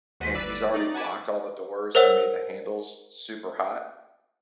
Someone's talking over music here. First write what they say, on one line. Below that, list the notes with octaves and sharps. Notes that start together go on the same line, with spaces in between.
and he's already locked all the doors and made the handles super hot,
D#2 F#4 C5 D#7
G1 B4 D5 E6 B6 D#7
D#4 D5
F#5 G#5 A5 B5 D6
A#4 C5 C#5 E5 F#5 E6